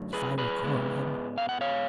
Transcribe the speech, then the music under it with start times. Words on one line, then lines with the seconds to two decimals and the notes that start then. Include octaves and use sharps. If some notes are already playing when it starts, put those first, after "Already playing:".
If I recall him!
Already playing: F#2 D3 F#3 A3
0.13 G#4 B4
0.38 G#4 B4
0.64 G#2 G#3 B3
1.38 F5
1.49 F#5
1.61 C#5 F5